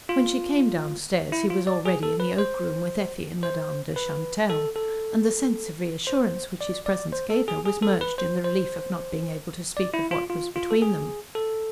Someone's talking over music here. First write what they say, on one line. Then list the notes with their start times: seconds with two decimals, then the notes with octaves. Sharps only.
When she came downstairs he was already in the oak-room with Effie and Madame de Chantelle, and the sense of reassurance which his presence gave her was merged in the relief of not being able to speak of what was between them.
0.09 F4
1.32 E4
1.50 F4
1.67 D5
1.86 G#4
2.03 A4
2.20 B4
2.38 C5
3.43 C5
3.96 B4
4.50 A4
4.76 A4
6.07 C5
6.61 D5
6.86 D5
7.13 C5
7.30 A4
7.48 G#4
7.66 G#4
7.83 A4
8.01 B4
8.18 C5
8.44 C5
9.77 D5
9.94 E4
10.11 F4
10.30 F4
10.56 F4
10.71 A4
10.82 G#4
11.35 A4